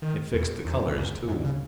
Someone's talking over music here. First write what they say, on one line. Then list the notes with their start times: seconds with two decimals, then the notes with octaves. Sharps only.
It fixed the colors, too.
0.02 D#3
0.34 E2
0.65 E2
0.97 F#2
1.28 F#2
1.44 C#3